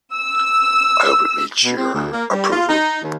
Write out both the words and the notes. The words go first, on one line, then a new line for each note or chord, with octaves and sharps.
I hope it meets your approval?
E6
B2
C4
D2
A#3
G3
F4
D#4
D#2